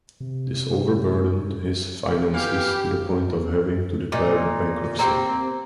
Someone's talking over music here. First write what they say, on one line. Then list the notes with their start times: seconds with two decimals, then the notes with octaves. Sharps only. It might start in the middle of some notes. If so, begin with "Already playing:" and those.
This over burdened his finances to the point of having to declare bankruptcy.
0.20 C3
2.34 E3 B3 G4 F5
4.12 A#2 D#4
4.99 A#3 C4 G4 G5 A#5